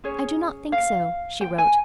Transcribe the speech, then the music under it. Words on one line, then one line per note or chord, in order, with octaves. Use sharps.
"I do not think so," she wrote.
C#4 G#4 C#5
F5
G5
G#5